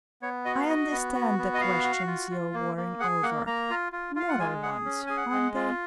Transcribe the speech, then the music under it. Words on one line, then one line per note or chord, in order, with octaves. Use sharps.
I understand the questions you are worrying over--moral ones, aren't they?
B3 C#5
F#4 D#5
F5
F#4 D#5
B3
F#4
B3
D#5
F#4 F5
F#4
F4
F4
A#3
A#3
G#4 F#5
A#3 F#5
A#3 A#5
F4
F4
F4 F5
F#5
G#3 G#5
G#4 F#5
C#4
G#4 G#5
F#5
G#3
F4